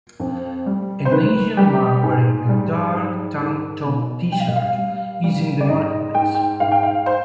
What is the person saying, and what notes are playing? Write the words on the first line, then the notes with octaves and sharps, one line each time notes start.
An Asian man wearing a dark tank top tshirt is in the marketplace.
F2
G3
C5
D#3 B4
G3 G4
G#2 G#4
G3
G#2
D#3
B2
G3 G5
F5
D#5
F5
G3
G3
D5
G#2 D#5
G#2 G5
G5
G#2 F5
G5
F5
C5